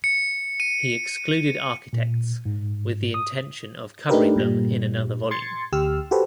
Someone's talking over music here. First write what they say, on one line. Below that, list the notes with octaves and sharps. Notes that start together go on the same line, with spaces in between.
He excluded architects with the intention of covering them in another volume.
C#7
D#7
A#2
G#2
D#6
A3 D4 D#4 G4 A#4 B4
G2 A#2 G3
C6 G#6 A6 C#7
D2 G4 E6 F6
F#4 G4 A4 B4 C5